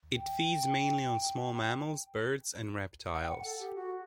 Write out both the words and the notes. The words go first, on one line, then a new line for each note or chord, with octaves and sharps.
It feeds mainly on small mammals, birds, and reptiles.
G5
F#5
G5
F#5
A4
G4
F#4